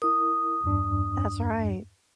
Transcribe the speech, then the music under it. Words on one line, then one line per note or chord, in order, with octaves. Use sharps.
That's right.
E4 A#4 D#6
E2 G2 D4